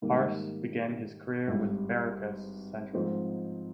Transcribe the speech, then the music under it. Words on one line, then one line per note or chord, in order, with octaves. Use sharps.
Arce began his career with Barracas Central.
G#2 D#3 G3 A#3
G#1 G2 G3
G#2 F3 C4 D#4